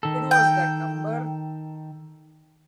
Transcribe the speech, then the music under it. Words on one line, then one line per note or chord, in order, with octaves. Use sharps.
It was that number.
D#3 A4
G5